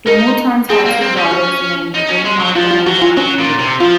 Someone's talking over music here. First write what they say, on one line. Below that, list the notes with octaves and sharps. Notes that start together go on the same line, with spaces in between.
The Moutons had two daughters named Jane Martha and Jacquelyn Cruse.
D#4 A#4
C4 G#4
A#3
C4
C#4
F#4
D#4
C#4
G#3
F#3
F3 F4
F4
F#3 F#4
F4
F#3 C#4
A#2
C3
F3 F4